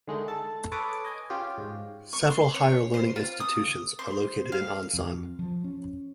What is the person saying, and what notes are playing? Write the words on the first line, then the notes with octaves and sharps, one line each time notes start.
Several higher learning institutions are located in Ansan.
D3 D#3 G#3 A3 D#4
A4 A5 A6
A4 B4 C#5 D6 D#6
D#5 G#5
C#4 F4 G4 G#4
G#2
C#6
C6
C#5
C5
F4
D#6
C5
F5
F2
F3
C#4